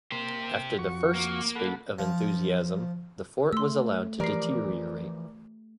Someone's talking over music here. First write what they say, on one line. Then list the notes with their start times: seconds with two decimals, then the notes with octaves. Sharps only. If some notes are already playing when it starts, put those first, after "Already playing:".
After the first spate of enthusiasm, the fort was allowed to deteriorate.
0.12 A#3 G4 C5
0.79 F2 F#4 C#6
1.15 A#3
1.55 A4 F#5 B5
1.99 F3
3.53 A3 C6 E6
4.20 E3 F3 G4 A#4 D5 C7